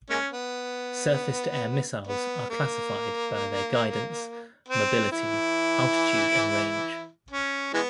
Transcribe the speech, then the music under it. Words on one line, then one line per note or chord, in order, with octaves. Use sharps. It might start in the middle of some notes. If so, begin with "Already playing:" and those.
Surface-to-air missiles are classified by their guidance, mobility, altitude and range.
G#3 A#3 C#4
B3
B3
A#3
C4
E3 E4
C#4
E3 G#3 B3